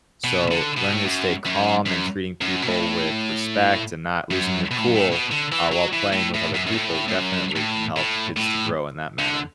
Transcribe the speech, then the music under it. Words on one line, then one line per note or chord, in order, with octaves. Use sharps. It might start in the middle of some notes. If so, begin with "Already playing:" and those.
so learning to stay calm and treating people with respect and not losing your cool, uh, while playing with other people definitely can help kids to grow in that manner.
B2
D3
B2
A2
F#2
F#2
F#2
F#2
B2
A2
F#2
B2
A2
F#2
A2
B2
D3
E3
F#3
E3
A2
A2
F#2
F#2
A2
A2
F#2
A2
A2
A2
D3